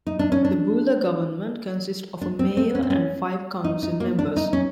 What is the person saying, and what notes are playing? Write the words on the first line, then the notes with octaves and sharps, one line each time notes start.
The Buhler government consists of a mayor and five council members.
D#4
D4
C#4
D4
D4
C4
C4
C#4
C4
C#4
D#4
D#4
A#3
D4
D#4
C#4